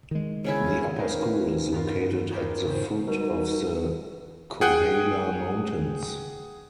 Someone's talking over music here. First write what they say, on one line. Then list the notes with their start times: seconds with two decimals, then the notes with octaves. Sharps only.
The upper school is located at the foot of the Kohala Mountains.
0.11 D#3 G#3
0.44 C#3 C#4 E4 C#5
0.98 C4 C#4 D#4 A#4 B4 F5
1.72 G2 B3 F4 A#4
2.01 B3
2.31 B3 C#4 D#4 F4 G4 A#4
2.65 G#2 C#3 C4
3.07 B2 G3 D#4 A#4
4.61 G#4 F#5 G5 F#6